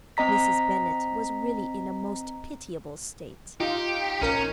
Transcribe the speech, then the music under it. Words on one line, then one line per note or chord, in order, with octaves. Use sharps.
Mrs. Bennet was really in a most pitiable state.
C4 D#5 A#5 B6
D#4 F4 G4
A#1 C#4 A#4 G6